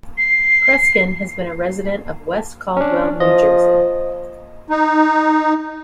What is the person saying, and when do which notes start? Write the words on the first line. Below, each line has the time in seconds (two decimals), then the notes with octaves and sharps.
Kreskin has been a resident of West Caldwell, New Jersey.
0.18 C7
2.77 C#4 D4
3.20 F3 D#5
4.68 D#4